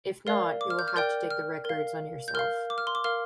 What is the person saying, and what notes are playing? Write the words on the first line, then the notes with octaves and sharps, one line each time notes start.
If not, you'll have to take the records on yourself.
A#4 D5 F5
D6
F6
G6
F6
A#4 D5 G5 G6
F6
A#4 F5
G6
A#4 F5 F6
D6
F6
C6
D6
A#4 F5 F6